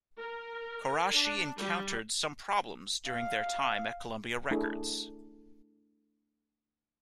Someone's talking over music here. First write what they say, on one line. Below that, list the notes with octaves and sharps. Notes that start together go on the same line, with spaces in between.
Quarashi encountered some problems during their time at Columbia Records.
A#4
D4
G3
F5
A3 D4 E4 G#4